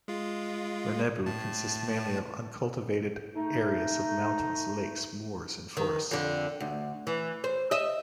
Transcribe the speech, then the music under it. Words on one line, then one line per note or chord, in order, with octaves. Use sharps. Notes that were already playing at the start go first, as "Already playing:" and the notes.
Rennebu mainly consists of uncultivated areas of mountains, lakes, moors, and forests.
G#3 F4
A2 A5
A3 D#4
D#3
F2 D3
D2
E3
C5
D#5 E5